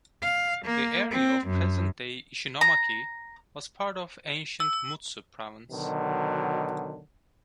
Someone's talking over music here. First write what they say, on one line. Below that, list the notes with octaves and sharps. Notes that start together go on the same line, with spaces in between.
The area of present-day Ishinomaki was part of ancient Mutsu Province.
F5
A#3
C4
F#2
A#5
E6
B2 D3 D#3 F#3